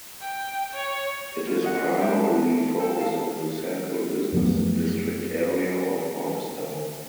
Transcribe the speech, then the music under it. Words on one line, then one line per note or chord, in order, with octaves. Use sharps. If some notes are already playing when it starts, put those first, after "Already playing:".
It is primarily focused on the central business district area of Morristown.
G5
C#5
F4
G#4 D#5 F#5
G4 C5 E5
A5
A4 G5
F5 A5
F#2 F3 A3 B3